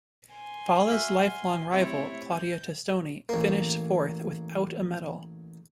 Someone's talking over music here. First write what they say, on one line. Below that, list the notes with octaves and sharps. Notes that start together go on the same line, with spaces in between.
Valla's lifelong rival, Claudia Testoni, finished fourth, without a medal.
G#5 C6
F#4 E5 F5
C3 A3 E4 C#5
G6
A1 A#3